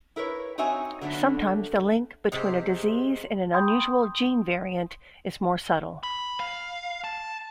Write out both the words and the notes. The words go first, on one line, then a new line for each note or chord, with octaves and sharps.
Sometimes the link between a disease and an unusual gene variant is more subtle.
E4 A#4 B4 C#5
C4 D#4 F#4 C#5 E5 G#5
D3 F#3 A3 B3 D4
C3 G#3 G4 C5
G5 B5 C6 D#6 G6
B5
F5
A5